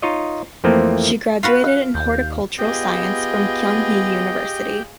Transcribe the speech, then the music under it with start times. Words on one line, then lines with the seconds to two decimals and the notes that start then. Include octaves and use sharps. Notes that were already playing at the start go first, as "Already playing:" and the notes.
She graduated in Horticultural Science from Kyung Hee University.
0.02 D#4 F4 C#5 D#5
0.64 F2 E3 F3 A3 A#3 C4
1.43 F4 F#4 B4 F#6
1.64 F5
1.94 D#2 G6
2.59 B3 F4 G4 G#4 D#5